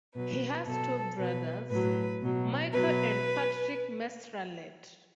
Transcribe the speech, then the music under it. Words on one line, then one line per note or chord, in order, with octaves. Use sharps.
He has two brothers, Michael and Patrick Mestrallet.
B2 F#3 B4
B2 F#3 A4
B2 F#3 B4
A2 F#3 B4
B2 F#3
B2 F#3 B4